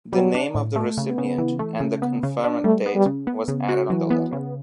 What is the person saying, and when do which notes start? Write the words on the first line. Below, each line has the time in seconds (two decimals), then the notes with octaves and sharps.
The name of the recipient and the conferment date was added on the letter.
0.13 F#3 G3
0.35 D4
0.55 A2
0.76 A3
0.97 C#3
1.08 B3
1.18 C#3
1.38 E3
1.59 A3
1.80 C#3
2.02 B3
2.23 C#3
2.44 D4
2.64 G3 A3
2.86 B3
2.95 G3
3.06 C#3
3.27 B3
3.48 C#3
3.69 F#4
3.89 E3 F#3
4.10 B3
4.32 C#3